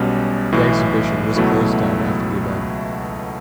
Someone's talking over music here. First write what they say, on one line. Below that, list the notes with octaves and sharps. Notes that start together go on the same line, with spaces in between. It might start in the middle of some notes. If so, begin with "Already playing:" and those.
The exhibition was closed down after the event.
Already playing: B1 B2 G3 C#4
B1 A2 E3
C#2 B2 F#3 A3 E4